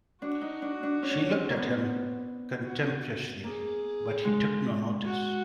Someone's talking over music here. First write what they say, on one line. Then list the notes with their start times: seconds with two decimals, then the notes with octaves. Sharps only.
She looked at him contemptuously, but he took no notice.
0.22 D4 F#4
0.41 D#4
0.62 D4
0.83 D4
1.03 C#4
1.11 D4
1.18 C#4
1.30 C4
1.50 A#3
1.56 B3
2.64 F#4
3.44 A#3 G#4
4.25 G#3
5.05 F#4